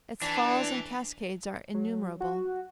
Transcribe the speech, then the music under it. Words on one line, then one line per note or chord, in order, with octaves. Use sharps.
Its falls and cascades are innumerable.
E3 D4
F#3
F#4